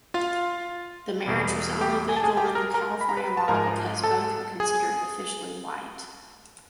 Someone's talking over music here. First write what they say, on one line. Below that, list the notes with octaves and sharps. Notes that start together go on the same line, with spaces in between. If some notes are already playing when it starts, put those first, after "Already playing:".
The marriage was only legal under California law because both were considered officially white.
F4 F5
E2 B2 G3
G4 G5
G#5
A5
G#4 G#5
G4 G5
A#4 A#5
A#4 A#5
B5
A#5
B4 B5
A5
G#2 F3 G#3 A#4 A#5
A4 A5
G#4 G#5